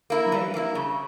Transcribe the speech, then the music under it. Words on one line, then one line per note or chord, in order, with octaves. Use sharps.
Right, right.
A#3 E4
E3
A#3 E4
C#3